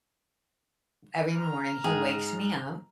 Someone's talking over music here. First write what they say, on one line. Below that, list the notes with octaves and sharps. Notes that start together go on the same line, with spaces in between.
every morning he wakes me up.
A#5 F6
G#2 G#4 G5 G#5